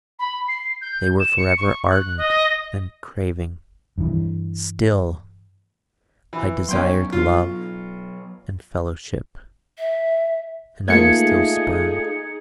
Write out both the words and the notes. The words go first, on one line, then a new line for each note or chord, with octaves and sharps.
They were forever ardent and craving; still I desired love and fellowship, and I was still spurned.
B5
C7
G6
E7
C#7
C#6
F#6
D#5
G2 E3
E3
F#3 B3 C#4 G5 C6
F4
E5
A3 A#3 D#4 F4 G#4 A4 G#6 C#7